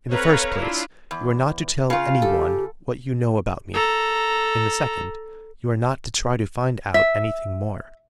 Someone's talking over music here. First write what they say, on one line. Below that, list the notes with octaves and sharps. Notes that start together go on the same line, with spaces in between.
"In the first place, you are not to tell any one what you know about me. In the second, you are not to try to find out anything more."
C4 A4 B4 C#5 F5 A#5
D4 E4 F4
E2
C#3 F4 F5
G4 A4
A4 A#5
E5